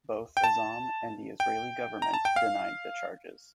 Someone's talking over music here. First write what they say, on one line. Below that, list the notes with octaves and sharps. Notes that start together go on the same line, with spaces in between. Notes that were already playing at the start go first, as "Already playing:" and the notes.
Both Azzam and the Israeli government denied the charges.
G5
A5
G5
A#5
A5
G5
F5